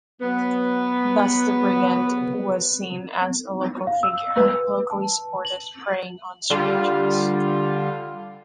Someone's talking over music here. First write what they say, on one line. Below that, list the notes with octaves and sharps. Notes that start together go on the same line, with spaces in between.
Thus the brigand was seen as a local figure, locally supported, preying on strangers.
F#3 B3
F5
E6
B4
A5
F#7
D3 G3 F4